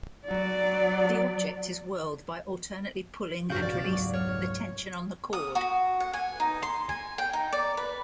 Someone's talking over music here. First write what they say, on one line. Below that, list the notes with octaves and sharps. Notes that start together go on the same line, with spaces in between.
The object is whirled by alternately pulling and releasing the tension on the cord.
F#3 D5
G2 C#3 F#4 G4 F5 G6
B1 D5
F1 C#2 G#2 F#3
C#5 F6
D#6
F#4
F#5
G#5
D#4
C6
G#5
G5
D#4
D5
B4